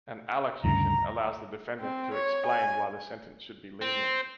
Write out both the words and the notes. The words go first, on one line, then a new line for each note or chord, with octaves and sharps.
An allocution allows the defendant to explain why the sentence should be lenient.
D2 G2 C#3 A#5
C4
C#5
G#5
C4